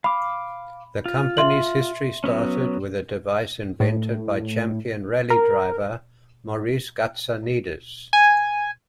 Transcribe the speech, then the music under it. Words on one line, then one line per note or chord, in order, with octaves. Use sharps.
The company's history started with a device invented by champion rally driver Maurice Gatsonides.
F5 B5 D6
F4
E5 C6 F#7
F#3 B3 C#4
A2
A#4
G#5